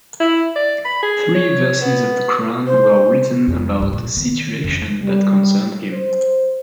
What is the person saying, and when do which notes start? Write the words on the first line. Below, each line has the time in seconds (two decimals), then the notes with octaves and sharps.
Three verses of the Quran were written about a situation that concerned him.
0.20 E4
0.56 D5
0.85 B5
1.03 G#4
1.35 C#5
1.81 B3
2.66 C5
3.48 F2
3.79 C2 G2
3.93 A#2
4.17 D#3 B3
4.64 F2 C#4
5.03 G3
5.92 C5